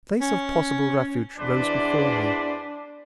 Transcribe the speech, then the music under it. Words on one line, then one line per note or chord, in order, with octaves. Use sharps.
The place of possible refuge rose before me.
C#4
E2 D4 B4 C5 D5